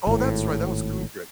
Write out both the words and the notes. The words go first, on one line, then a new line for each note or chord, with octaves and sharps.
Oh, that's right, that was Kubrick.
G#1 A2